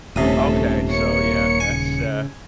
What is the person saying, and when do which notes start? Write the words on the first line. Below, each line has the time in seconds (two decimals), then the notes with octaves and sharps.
Okay, so, yeah, that's, uh
0.16 D#1 C3 A3 C#4 A4 D#6
0.90 A#3 C#5 C#7
1.60 C#3 G#5